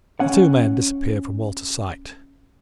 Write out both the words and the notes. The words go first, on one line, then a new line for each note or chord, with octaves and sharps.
The two men disappeared from Walter's sight.
C#4 F#5